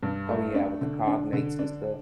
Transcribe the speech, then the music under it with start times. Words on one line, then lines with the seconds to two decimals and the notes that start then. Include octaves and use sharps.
Oh, yeah, with the cognates and stuff.
0.03 G2
0.29 A3
0.55 D4
0.81 D3
1.07 D4
1.33 D3
1.59 D4